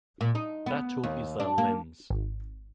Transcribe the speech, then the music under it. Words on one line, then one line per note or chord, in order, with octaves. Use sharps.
That tool is the "Lens".
A#2
D#4
B3
D#2
D4
A#3
G#1